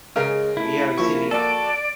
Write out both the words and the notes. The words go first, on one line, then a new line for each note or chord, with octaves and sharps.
We are receiving.
C#3 G#3 A#4
A3 E4
F3 A#3 C#6
F#4 A4 D5